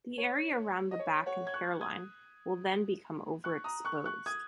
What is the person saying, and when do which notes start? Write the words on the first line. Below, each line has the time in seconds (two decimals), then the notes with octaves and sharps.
The area around the back and hairline will then become over-exposed.
0.18 C#5
0.91 D#5
0.99 C#5
1.26 C#5 F#5
1.47 G#6
1.54 C#6 F#6
1.81 D#6 G#6
3.44 C#6 F#6
3.64 A#5 D#6
3.85 C#6 F#6
4.06 C#6 F#6
4.26 D#6 G#6